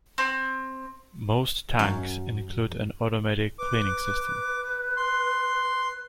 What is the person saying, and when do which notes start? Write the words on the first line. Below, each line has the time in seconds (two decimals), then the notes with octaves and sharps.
Most tanks include an automatic cleaning system.
0.18 C4
1.79 F#2
3.59 B4 D6
4.97 C6